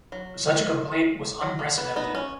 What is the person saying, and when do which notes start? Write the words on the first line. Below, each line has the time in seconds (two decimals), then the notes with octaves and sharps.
Such a complaint was unprecedented.
0.12 F#3
1.41 F#3
1.59 A#3
1.78 B3
1.96 B3 D#4
2.15 C#4